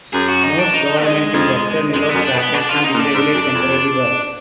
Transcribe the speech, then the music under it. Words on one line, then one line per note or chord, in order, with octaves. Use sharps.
Most governments in Western Europe started to deregulate temporary work.
F#2 G#4
F#4
D#4
D4
D#4
G#3
F2
F2 G#3
B3
F#2
D4
B2
B3
B2 D4
F4
D3
D#4
A#2
D4
G#2
F#2
F2